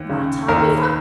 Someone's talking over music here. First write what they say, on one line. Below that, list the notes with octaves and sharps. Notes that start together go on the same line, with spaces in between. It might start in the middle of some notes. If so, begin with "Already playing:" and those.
My time is up.
Already playing: D#2
C#3
D#2 A#4